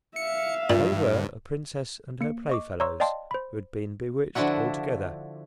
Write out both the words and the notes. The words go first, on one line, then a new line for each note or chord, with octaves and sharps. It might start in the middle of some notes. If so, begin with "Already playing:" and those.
They were a princess and her playfellows, who had been bewitched all together.
E5 F5 C#7
G2 A#2
A#3 C#7
D#5 C#6 D6
C#5 A#5 C6 C#6 E6
D5 D#5 F5 G5 A5 C6
C5 B5
D3 F3 D4 E4 F#4